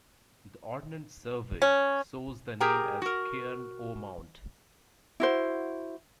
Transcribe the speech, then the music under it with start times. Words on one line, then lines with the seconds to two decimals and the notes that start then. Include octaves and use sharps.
The Ordnance Survey shows the name as "Cairn o' Mount".
1.62 C#4
2.60 G4 G#4 A#4 G5 A#5
3.02 F#4 A#4
5.20 E4 F#4 C5